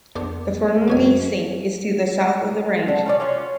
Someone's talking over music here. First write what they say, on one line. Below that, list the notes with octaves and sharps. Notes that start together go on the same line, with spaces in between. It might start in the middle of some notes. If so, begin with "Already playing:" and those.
The Fernley Sink is to the south of the range.
A#1 F2 B3 D4 C5
F#2 B2 F#3 C#5 G#5
D3
C#4 E4 D5
C#4 F4 F#4